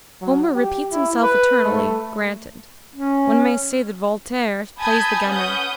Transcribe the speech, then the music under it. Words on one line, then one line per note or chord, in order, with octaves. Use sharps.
Homer repeats himself eternally, granted; one may say that Voltaire plays the gamin.
F#3
G4
E4
B4
A3
C#4
G#5 A5 B5 D#6 G6 G#6
C#4 B4 F#5 D#6 G6